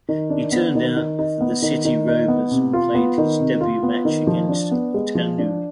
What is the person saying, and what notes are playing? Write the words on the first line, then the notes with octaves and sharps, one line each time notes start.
He turned out for the City Rovers and played his debut match against Otahuhu.
D#3
D4
B3
D#3
D#3
D#4
B3
D#3
D#3
D#4
B3
C3
F4
B3
D#3
C3
F4
B3
D#3
F3
D4
B3
G#3
F3
D4